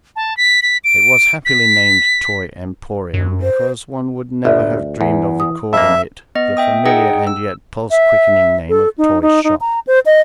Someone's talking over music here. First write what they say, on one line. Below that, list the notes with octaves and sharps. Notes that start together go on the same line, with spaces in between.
It was happily named Toy Emporium, because one would never have dreamed of according it the familiar and yet pulse-quickening name of toyshop.
A5
B6
B6
D7
B6
F#2
C5
G1 D2 D5 E5
E2 E3
D#6
D#1 F2 A#3 E5
B3 D#5
E5 G5 D#6
D#4 G#4 D#5 F#5 G5 D#6
E6
E5
A4
D#4
D#4
D#4
A#5
C5
D#5